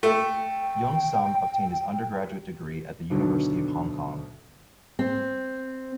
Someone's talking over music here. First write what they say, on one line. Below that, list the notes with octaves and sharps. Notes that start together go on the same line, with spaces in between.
Yeung Sum obtained his undergraduate degree at the University of Hong Kong.
A3 G5
D2 G2 B2 D3 D#3 F#3
C4